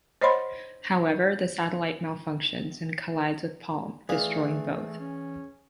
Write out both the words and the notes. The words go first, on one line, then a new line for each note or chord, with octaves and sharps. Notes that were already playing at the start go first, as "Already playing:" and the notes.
However, the satellite malfunctions and collides with Palm, destroying both.
C5 C#5 D#5 F#5 B5 C6
E3 A3 G#4 D5 F5
C#4